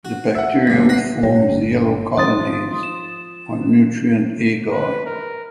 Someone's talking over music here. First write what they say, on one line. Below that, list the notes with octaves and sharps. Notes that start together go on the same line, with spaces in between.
The bacterium forms yellow colonies on nutrient agar.
F#4
E5 F#5
D2 G2
B4 F#5 A#6 C7
G#2 C3 G3 C#5
G1
D#3 F#3 C6 D#6 A6
F3
E7
B4
A#4